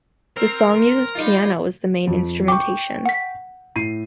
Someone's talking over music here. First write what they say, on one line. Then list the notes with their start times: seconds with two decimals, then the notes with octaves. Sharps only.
The song uses piano as the main instrumentation.
0.37 C4 A#4
1.15 G3 D#4 F4
2.07 F2
2.48 G5 C#6 D6
3.06 F#5 B6
3.76 A2 C7 D#7